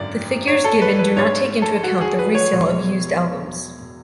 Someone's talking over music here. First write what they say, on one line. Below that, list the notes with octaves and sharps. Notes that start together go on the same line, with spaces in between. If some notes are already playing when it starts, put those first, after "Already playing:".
The figures given do not take into account the resale of used albums.
Already playing: G#1 F#2 D3 D5
C#5
A4
B4
B4
G#1 G#2 G#3 D4 C#5
A4
F#4
G#4
B4
C#5
E1 E2 B2 G#3